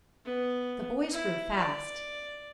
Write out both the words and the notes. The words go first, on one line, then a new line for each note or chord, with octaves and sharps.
The boys grew fast.
B3
E4
D5